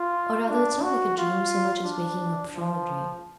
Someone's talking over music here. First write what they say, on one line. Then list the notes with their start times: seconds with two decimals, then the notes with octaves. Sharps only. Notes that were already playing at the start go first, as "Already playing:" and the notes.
Or rather it's not like a dream so much as waking up from a dream.
Already playing: F4
0.49 D4
0.83 F#4
1.18 F4
1.85 D4
2.53 F3